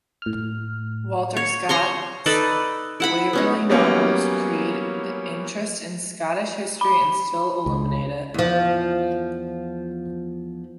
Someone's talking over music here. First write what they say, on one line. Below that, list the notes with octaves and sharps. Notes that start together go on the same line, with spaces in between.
Walter Scott's Waverley novels created interest in Scottish history and still illuminate it.
A2 F6
C#5
C#5 A#5 C6 C#6
D#4 A4 B4 D5
E4 F#5 B5
B3 C#4 D#4
F#3 G3 A#3 B3 C#4
B5
C#2
E2 F3